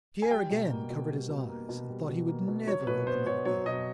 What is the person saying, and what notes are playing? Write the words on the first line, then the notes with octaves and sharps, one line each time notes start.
Pierre again covered his eyes and thought he would never open them again.
G#5
G3 G5
B2
A#3
B2
G3
B2
A#3
B2
G3
B2
A#3
B2
F#3 C#5
B2 B4
B3 C5
B2 C#5
F#3 C#5
B2 D#5